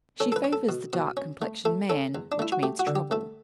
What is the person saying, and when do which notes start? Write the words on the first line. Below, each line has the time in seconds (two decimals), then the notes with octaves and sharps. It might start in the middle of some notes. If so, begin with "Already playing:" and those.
She favors the dark complexioned man, which means trouble.
0.20 C#4 A4
0.32 A4
0.36 B4
0.44 C#4
0.53 A4
0.69 B2
0.93 B2
1.17 C#4
1.42 A3
1.65 A3 A4
1.90 C#4 A4
2.15 E2
2.32 D4
2.39 A3 E4
2.52 F#4
2.63 A3 G4
2.79 F#4
2.87 D3
2.96 G4
3.11 A3 A4